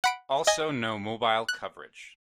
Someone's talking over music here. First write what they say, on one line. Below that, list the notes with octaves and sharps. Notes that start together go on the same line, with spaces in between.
Also no mobile coverage.
F#5 B5 D7
D#5 G#5
F#6